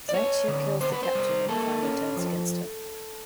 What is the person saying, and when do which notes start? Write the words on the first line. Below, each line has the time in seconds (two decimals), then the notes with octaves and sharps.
Xanxia kills the Captain when he finally turns against her.
0.09 D5
0.14 B3 C#5
0.48 D3
0.81 B3 C5
0.92 B4
1.03 C5
1.15 G3
1.49 A#3 A4
1.83 C#4
2.17 F3